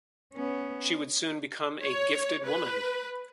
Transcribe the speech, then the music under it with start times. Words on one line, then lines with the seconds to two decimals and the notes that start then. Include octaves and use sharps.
She would soon become a gifted woman.
0.33 B3 C#4
1.83 C#5
2.45 B4